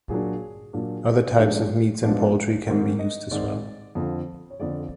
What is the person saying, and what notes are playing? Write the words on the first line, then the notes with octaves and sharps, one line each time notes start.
Other types of meats and poultry can be used as well.
A#2 F#3 A#3 D4 G#4
A#2 F#3 A#3 D4
G#2 F3 G#3 B3 D4 G#4
G#2 F3 G#3 B3 D4
G#2 D#3 G#3 C4 A#4
D#5
G#2 D#3 G#3 C4 D5
F2 D3 F3 C5
C#5
F2 D3 F3 D5